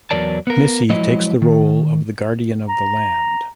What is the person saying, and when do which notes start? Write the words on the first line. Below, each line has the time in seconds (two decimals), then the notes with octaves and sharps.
Missy takes the role of the guardian of the land.
0.11 E2 G#2 F#3 A#4 D5 A5
0.47 B3 A#4
0.90 F3 F#3 G#3 E4 D#5
1.42 D#3
2.68 A#5